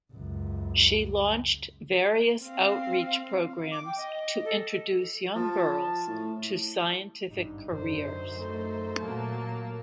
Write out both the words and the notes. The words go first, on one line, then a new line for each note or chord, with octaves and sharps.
She launched various outreach programs to introduce young girls to scientific careers.
C#2 F#2
C4 F5
D6
G5
D#5
A4
F3 A5
A2
G#1 G2 D#4
F#2 D3 D#4 C5
A3
A#2 F#3 A#3 A5